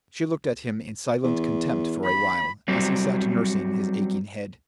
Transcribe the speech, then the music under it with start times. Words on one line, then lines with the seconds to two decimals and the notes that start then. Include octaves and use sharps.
She looked at him in silent contempt for a while as he sat nursing his aching head.
1.24 E2
2.05 B5
2.68 F#3 G3 C4